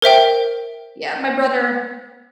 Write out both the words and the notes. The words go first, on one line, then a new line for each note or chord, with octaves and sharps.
Yeah, my brother
A#4 C5 E5 G5